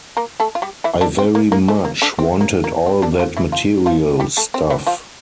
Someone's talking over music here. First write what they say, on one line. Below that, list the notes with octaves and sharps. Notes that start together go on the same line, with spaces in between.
I very much wanted all that material stuff.
A#3 A#4
A3 A4
F4
G3 G4
E3 E4
D3 D4
C4
A#3
A#3
A3
A#3
D3 D4
C4
A#3
A#3
C4
D3 D4
F3 F4
E3 E4
F3 F4
F3 F4
G3 G4
A3 A4
C4
E3 E4
F3 F4